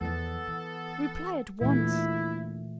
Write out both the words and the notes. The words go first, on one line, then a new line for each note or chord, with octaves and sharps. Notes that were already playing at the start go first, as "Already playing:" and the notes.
Reply at once.
E2 F3 B3 A4
E3
D#1 A#2 D3 E3 A3 E4